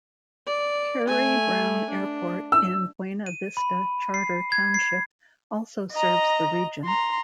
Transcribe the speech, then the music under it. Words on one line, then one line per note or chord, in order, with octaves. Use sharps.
Harry Browne Airport in Buena Vista Charter Township also serves the region.
D5
A3 G#5
D4
E6
D#7
B5
C7
G#6
C7
D#5 A#5
A#5 C6